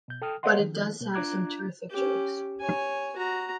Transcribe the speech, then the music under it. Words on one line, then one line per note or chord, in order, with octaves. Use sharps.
But it does have some terrific jokes.
B2 G6
A4 G5 D#6 F6
B4 C#5 D#5 F5 F#5 C6
D#3 F3
B2 A#3
D4 F4 A#5 D6 F#6 G#6
C#4 G4
C#5 G#5
F#4 A#5